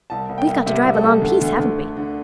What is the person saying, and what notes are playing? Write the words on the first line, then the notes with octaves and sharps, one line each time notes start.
We've got to drive a long piece, haven't we?
C2 A5
C2
G5
C2
C3 E5
C2
A4
C2
D2
D2
D2
D3
D3